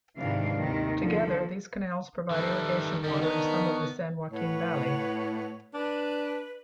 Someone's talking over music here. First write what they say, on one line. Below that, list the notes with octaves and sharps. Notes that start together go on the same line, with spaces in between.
Together, these canals provide irrigation water to some of the San Joaquin Valley.
G#2 C3 D#3 E3 D4 F5
D#2 C3 D#3
D3 F3 A#3 A4
D#3 G3 A4 B4 E5
D#3 G3 C#4
B3 D4 C#5 A#5
A2 B4 C#5 F#5
D4 B4